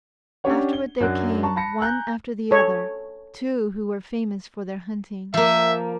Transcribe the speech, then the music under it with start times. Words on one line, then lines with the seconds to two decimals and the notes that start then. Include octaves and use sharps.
Afterward there came, one after the other, two who were famous for their hunting.
0.44 C#4 D4 G4 C#5 F#5
0.73 G7
1.00 F#2 F#3 D4 F#5 F#6
1.43 A5 A#5 C#6
1.56 A5 B5 A#6 C#7
1.80 G#5 A#5 F#6 G6
2.51 A4 C#5
5.34 F3 A#3 E5